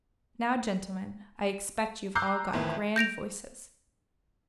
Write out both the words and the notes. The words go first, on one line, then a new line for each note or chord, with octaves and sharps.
Now, gentlemen, I expect you've all got grand voices.
A#5 D6 E6 F#6 G6 C7
F2 A2 D#3 E3
G6 A#6 D7 F7